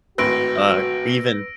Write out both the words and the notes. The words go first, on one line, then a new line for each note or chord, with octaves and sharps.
uh, even
G#1 A2 F#4 B4 C6 E6 A#6 D7